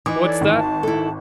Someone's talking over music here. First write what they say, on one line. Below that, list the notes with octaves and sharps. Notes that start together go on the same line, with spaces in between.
"What's that?"
E3 D#4 D6
A4 C#5 D5
G#1
A5
E4 A4